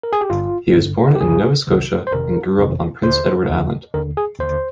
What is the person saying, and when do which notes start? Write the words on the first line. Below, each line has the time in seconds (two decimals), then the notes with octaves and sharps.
He was born in Nova Scotia and grew up on Prince Edward Island.
0.03 A#4
0.13 G#4
0.21 G4
0.30 G1 G2 D3 F4
0.76 G1 G2 D3
1.15 G4
1.21 C2 C3 D#3 G#4
1.67 C2 C3 D#3
2.07 C5
2.12 G1 F2 C3 D#3 A#4
2.58 G1 F2 C3 D#3
3.03 D#2 D3 C5
3.49 D#2 D3
3.94 D#2 D3 A#4
4.17 G#4
4.39 D#2 D3 C5